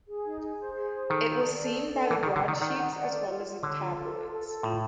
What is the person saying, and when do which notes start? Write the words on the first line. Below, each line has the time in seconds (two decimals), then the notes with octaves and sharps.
It was seen by the broadsheets as well as the tabloids.
0.09 G#4
0.25 D#4
0.42 G#4
0.59 C5
0.75 G#4
0.93 C5
1.09 D#3 A4
1.27 A4
1.43 D5
1.60 A4
1.77 D5
1.94 A4
2.10 E3 F#5
2.23 D#3
2.28 F#5
2.36 D3
2.44 D#3 D5
2.61 D#3 F#5
2.77 F#5
2.95 D5
3.11 A4
3.29 F4
3.46 F4
3.62 D3 C#5
3.79 F4
3.97 A4
4.13 F4
4.30 A4
4.47 A4
4.63 A2 F4